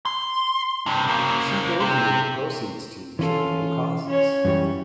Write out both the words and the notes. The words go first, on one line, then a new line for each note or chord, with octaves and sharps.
She donated the proceeds to charitable causes.
C6
G2 C3
C#3 A#3
C3
E3 C#4 F4 A4
C#4 C#5
F#2 E3 G3